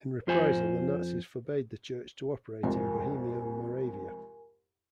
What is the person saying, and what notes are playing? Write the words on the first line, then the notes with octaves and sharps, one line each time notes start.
In reprisal the Nazis forbade the church to operate in Bohemia and Moravia.
F2 F4 C5 G#5
C2 F2 G#2 A#4 G#5